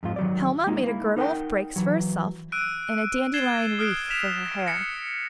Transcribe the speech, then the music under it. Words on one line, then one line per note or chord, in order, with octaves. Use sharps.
Helma made a girdle of brakes for herself, and a dandelion wreath for her hair.
F2 G#2 F4
D#3 F#3 D5
G#3 A#3 D#4
A#3 E4
D#4 A#4 E5 F#5 G5
E3 F#3
E6 F#6 D7 D#7
G#6 A6 C7 E7 G7
D#6 F6 F#6 D7
B6 D7 E7 F7
A#6 C#7